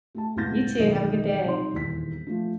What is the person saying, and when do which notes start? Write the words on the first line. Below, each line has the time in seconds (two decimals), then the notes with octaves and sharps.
You too, have a good day.
0.15 A3 G4 A5
0.36 C#2 A2 B3 G6 A6 A#6
0.78 E1 B1 D#3 D4 D#5
1.44 C3 G3 D#4 D5 C6
1.72 D#1 E2 B6
2.27 F3 A3 D4